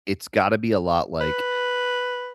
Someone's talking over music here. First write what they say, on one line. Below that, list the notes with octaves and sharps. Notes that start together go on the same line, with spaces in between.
it's gotta be a lot like
B4